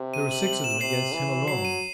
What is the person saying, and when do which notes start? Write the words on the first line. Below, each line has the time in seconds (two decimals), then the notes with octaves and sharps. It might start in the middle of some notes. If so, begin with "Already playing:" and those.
There were six of them against him alone.
Already playing: C3
0.14 D#7
0.31 F#7
0.47 F#7
0.64 E7
0.81 C3 C7
1.14 E3
1.48 F#3 C7
1.65 D#7